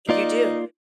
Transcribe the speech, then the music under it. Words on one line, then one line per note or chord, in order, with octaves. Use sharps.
You do.
A#3 D#4 F4 D5